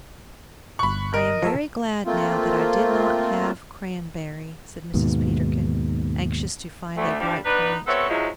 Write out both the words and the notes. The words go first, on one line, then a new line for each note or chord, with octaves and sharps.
"I am very glad now that I did not have cranberry," said Mrs. Peterkin, anxious to find a bright point.
G1 B5 C#6 F#6
A#4 D#5
F3 A4 A#4 C#5 E5
A3 A#3 C4 F4
D#2 G#2 B2
D2 A3
F3 G3 D4
B3 D4 D#4 B4
B3 C4 F#4 A4 C#5 E5
G#2 F3 F#3 G#3 E4